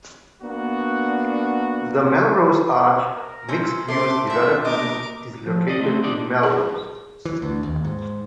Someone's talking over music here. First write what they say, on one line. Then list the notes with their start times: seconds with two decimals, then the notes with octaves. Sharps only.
The Melrose Arch mixed-use development is located in Melrose.
0.42 A#3 B3 D4 F#4
3.10 A#4
3.48 C4 C#4
3.88 A3 A4 A#4 C5 C6 D6
4.30 C4 D4 E5 G#5
4.65 A#3 A#4 D#5 D6
5.46 F3
5.68 D5 D#5
5.81 A3 C4
6.03 D4 D#4 D5
6.43 G#4
7.25 E3
7.42 D2
7.63 D#2
7.84 G#2